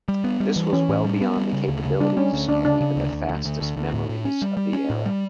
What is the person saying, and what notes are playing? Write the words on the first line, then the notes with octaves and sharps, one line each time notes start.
This was well beyond the capabilities of even the fastest memories of the era.
G3
B3
G3
E3
E3 C#4
A2
G3
B3
G3
C#3
D2
C#3
G3 D4
G3 C#4
D2
D2 D4
C#3 D4
C#3
D2
D2
D2
D2
D2
D2
A2
A2
C#4
G3
G3
C#4
A2
G3